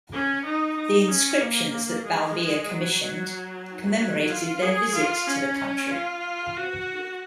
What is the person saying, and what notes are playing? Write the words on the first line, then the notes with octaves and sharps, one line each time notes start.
The inscriptions that Balbilla commissioned commemorated their visit to the country.
C#4
D#4
D#4
C#4
A#3
G#3
F#3
F#3
F#3
F4
G#4
F4
C#4
F4
F#4